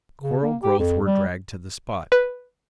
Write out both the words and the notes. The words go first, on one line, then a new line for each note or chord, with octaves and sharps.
Coral growth were dragged to the spot.
C#3
A#3
G4
F2
G3
B4